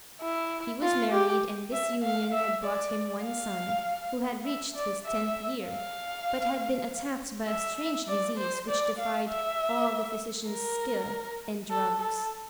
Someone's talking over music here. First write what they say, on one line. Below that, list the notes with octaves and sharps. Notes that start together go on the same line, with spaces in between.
He was married, and this union had brought him one son, who had reached his tenth year, but had been attacked by a strange disease which defied all the physicians' skill and drugs.
E4
F4
G4
E5
F5
E5
D5
F5
E5
D5
E5
F5
E5
D5
C5
D5
F5
E5
A#4
A4
A4